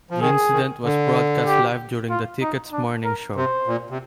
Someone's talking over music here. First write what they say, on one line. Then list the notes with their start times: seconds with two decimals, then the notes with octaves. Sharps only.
The incident was broadcast live during The Ticket's morning show.
0.11 F3
0.21 D#3 G#4
0.52 D#3
0.84 D3
1.47 G4
2.10 F4
2.42 D#4
2.73 D4
3.04 A#4
3.36 C3 C5
3.67 A#2
3.90 C3